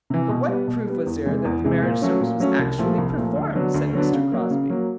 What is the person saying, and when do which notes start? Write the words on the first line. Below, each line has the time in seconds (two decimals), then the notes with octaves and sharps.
"But what proof was there that the marriage service was actually performed?" said Mr. Crosby.
0.10 C3 E3
0.29 B2
0.48 G3 B3
0.68 B2
0.87 G3 B3
1.06 E2
1.25 C3 E3 G#3
1.45 E2
1.64 C3 E3 G#3
1.82 A#2
2.02 F#3 A3 C#4
2.20 A#2
2.40 F#3 A3 C#4
2.59 C2
2.78 A#2 F3 A3
2.98 C2
3.16 A#2 F3 A3
3.36 D2
3.55 D3 F#3 B3 D4
3.74 D2
3.93 D3 F#3 B3 D4
4.12 C#3
4.32 F#3 A#3
4.51 C#3
4.70 F#3 A#3